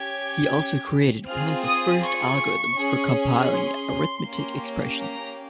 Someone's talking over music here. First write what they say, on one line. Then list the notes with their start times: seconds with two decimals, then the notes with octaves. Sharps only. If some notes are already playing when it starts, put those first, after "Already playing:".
He also created one of the first algorithms for compiling arithmetic expressions.
Already playing: C#4 G4 G#6
1.26 C4 F4 G#4 F6
1.64 D#6
2.01 C#6
2.76 C#4 G#4
3.51 C6
4.26 A#3 C#4 G4
5.01 A#5